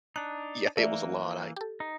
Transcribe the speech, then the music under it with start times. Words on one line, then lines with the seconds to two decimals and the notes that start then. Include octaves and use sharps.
Yeah, it was a lot. I
0.16 D4 D#4 F#6
0.77 E3 A3 A#3 D5 E5
1.56 G4 A4
1.80 D#4